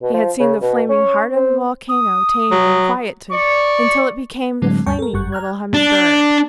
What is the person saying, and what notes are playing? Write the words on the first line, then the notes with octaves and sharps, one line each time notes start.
He had seen the flaming heart of the volcano tamed and quieted until it became the flaming little Humming-Bird.
B2
F3
C#3
B2
C#4
C4
D#6
F#3
D5 C#6
A2 D3 F#3 G#3 C4
D2 G2 G3 G5 A5 C#6
A4 A#4
G1 F#2 G3 C#6 F#6
A#5 F6 F#6 G#6
D4